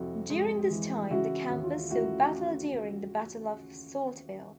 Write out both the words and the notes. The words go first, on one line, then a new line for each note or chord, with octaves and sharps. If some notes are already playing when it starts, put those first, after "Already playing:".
During this time the campus saw battle during the Battle of Saltville.
Already playing: F2 C3 E4 F#4
G#3
E3
C#3 E4 F#4
D#2
F4
A3 E4 F#4